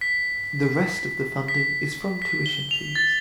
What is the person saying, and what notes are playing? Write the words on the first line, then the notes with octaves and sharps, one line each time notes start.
The rest of funding is from tuition fees.
B6
B6
B6
G7
F7
A6